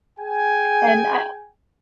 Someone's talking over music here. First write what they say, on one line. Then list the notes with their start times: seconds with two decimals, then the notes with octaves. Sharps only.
and I
0.18 G#4 G5 G#5